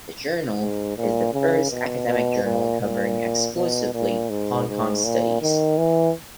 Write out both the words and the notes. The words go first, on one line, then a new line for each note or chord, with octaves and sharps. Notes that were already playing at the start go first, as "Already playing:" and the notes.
The journal is the first academic journal covering exclusively Hong Kong studies.
G#2
A#2
C#3
B2
B2
A#2
A#2
B2
A#2
G#2
G#2
A#2
D#3
E3